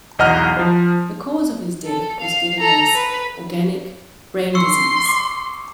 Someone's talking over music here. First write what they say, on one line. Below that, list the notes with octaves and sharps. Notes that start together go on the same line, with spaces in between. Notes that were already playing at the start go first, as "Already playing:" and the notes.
The cause of his death was given as "organic brain disease".
B1 E2 D#5 F#5 A#5 F6
F3 C5
A4
F5
A4 A#5
B4
C6 C#6 E6 C#7
D6